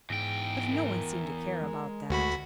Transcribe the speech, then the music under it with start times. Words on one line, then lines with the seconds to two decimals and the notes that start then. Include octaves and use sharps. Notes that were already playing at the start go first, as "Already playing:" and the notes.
But no one seemed to care about that.
0.10 E2 G#2 G5
0.72 A#4
1.62 G#3
2.10 D2 F#4 B5